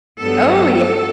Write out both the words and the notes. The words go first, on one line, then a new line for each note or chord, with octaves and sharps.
Oh, yeah.
G2 F#3 B3 A4
A4